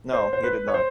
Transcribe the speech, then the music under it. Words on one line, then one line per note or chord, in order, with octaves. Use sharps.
No, you did not.
C5
C5
B4
C#5
C5